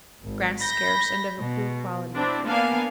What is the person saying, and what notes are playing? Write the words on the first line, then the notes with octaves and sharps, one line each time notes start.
Grass scarce and of a poor quality.
G#1
B5 G6 A#6 B6
B2
C4 D4 E4
A#3 B3 D4 F5 G#5